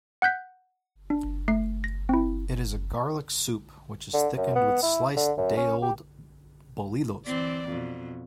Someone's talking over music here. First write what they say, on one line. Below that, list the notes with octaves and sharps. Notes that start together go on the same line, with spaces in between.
It is a garlic soup which is thickened with sliced day-old bolillos.
F#5 F#6 G6 B6
D4
A3 C7
A#6
C4 E4
D3
F#2
B3
E4
D3
F#2
C#4
G4
E3 C4 D5
F2 B2